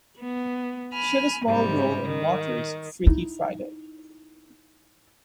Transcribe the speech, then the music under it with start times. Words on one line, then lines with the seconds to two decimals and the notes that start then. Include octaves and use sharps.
She had a small role in Waters' "Freaky Friday".
0.22 B3
0.93 G#5 B5 F6
1.45 G#2 C3 G3
2.07 D#3
3.07 D#4 E4